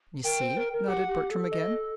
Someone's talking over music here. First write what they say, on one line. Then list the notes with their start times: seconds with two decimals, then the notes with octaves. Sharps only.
"You see," nodded Bertram again.
0.24 A#4 G5
0.41 C5
0.57 A#4
0.73 A#4
0.88 G4 F#5
1.09 G4
1.31 A4
1.52 D#5